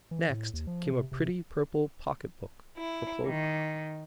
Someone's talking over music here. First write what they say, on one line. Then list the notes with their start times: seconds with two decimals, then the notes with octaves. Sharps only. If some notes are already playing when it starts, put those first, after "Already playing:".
Next came a pretty purple pocket-book for Clover.
0.11 E3
0.30 A2
0.53 D#2
0.67 F3
0.93 C3
1.12 C3
2.78 E4
3.25 D#3